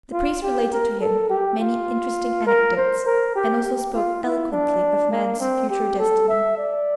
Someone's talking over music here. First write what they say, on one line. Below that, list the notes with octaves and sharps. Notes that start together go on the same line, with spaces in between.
The priest related to him many interesting anecdotes, and also spoke eloquently of man's future destiny.
F4
G4
A#4
A4
G4
F4
A#4
C5
A#4
G4
G4
F4
E4
D4
A#3
C4
G4
A4
E5
D5